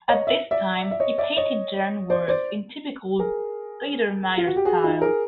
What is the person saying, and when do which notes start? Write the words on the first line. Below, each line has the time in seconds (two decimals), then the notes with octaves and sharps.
At this time, he painted genre works in typical Biedermeier style.
0.09 C#5 D#5
0.27 E5
0.51 D5 E5
0.91 E5
1.00 C#5 D#5
1.18 D5 E5
1.37 C#5 D#5
2.10 C5 D5
2.28 C5 D5
3.19 G#4 A#4
4.37 F4
4.48 F#4
4.56 G4
4.65 F#4 G#4
4.84 D#4 F4
5.01 G#4 A#4